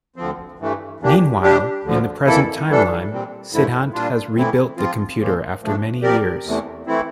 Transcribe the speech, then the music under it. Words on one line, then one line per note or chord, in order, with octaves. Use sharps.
Meanwhile, in the present timeline, Siddhant has rebuilt the computer after many years.
D2 D3 F3 C4
G2 E3 A3
E2 E3 A#3 D4 G4
G3 D4 G4
D2 D3 F3
F2 E3 A#3 E4 A4
E3 G3 D4 A4
A#2 G3 C4
G2 D3 F3 A3 E4
A#2 G3 D4 F4
A2 E3 A3 C4 E4
F3 C4 F4
A#2 F3 A#3
A#2 F3 A3 D4
F3 C4 G4 A#4 D5
E2 C3 E3 A3
E3 A3 C4 E4